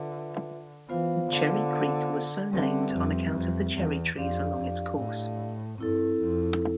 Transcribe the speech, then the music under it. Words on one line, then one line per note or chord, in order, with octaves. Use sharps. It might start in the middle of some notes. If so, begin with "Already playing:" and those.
Cherry Creek was so named on account of the cherry trees along its course.
Already playing: D3 F4 B4 E5
E3 B3 F4 C5 F5
D3
D3 G3 C4 G4 B4 E5
F2
F2
E2
F2 D4 G4 D5 F5
F2
A2
G2 C4 E4 A4
F2